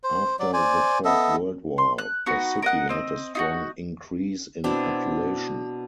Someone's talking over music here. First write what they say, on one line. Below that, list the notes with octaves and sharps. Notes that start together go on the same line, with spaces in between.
After the First World War, the city had a strong increase in population.
C5
F#3 D5
C5 D5 G#5
B3 A4 D#5 E5
C6
F#6
B3 D#4 F#4
A#4 D#5 F#5
C4 D#5
D#4 F4 F#4
B2 C4 D4 E4